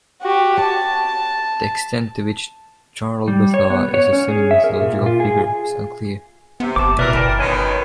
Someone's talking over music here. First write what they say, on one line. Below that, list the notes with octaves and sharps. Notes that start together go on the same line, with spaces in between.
The extent to which Jarl Buthar is a semi-mythological figure is unclear.
F#4 G4
A5
G3
C#5
B3
C#5
C#4
G#4
E5
A#4
A#2
F4
G#4
C3 B3
G1 A5 D6
B2 E3 A#4 B4 D5 E5
G1 G5 A5 B5
F#2 B2 D#3 C#5 G#5
B4 C#5